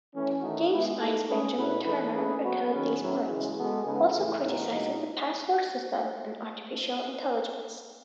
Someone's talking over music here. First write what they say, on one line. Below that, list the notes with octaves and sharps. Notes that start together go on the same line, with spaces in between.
GameSpy's Benjamin Turner echoed these points, also criticizing the password system and artificial intelligence.
E3 A3 C#4
D#3 A3 D#4 F#4
G#3 B3 E4
A3 D#4 A4
G#3 C#4 G#4 B4
B2 A3 E4 B4
E3 A3 D#4 G#4 B4
A3 C#4 G#4 B4
F#3 B3 F#4 B4
D#3 F#3 C#4 G#4 B4
A2 F#3 C#4 E4
C#3 E3 G#3
G#3 B3 F#4 A4
C#3 G#3 B3 D#4
A2 E3 A3
A2 E3 B3 D#4
B2 G#3 D#4